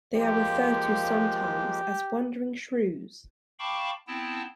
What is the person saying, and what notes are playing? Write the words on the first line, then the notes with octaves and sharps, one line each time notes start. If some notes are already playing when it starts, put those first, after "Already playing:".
They are referred to sometimes as wandering shrews.
F3 G#3 A#3 G4
F5 G5 A5 B5 C#6 D6
B3 C4 E4 G5 A5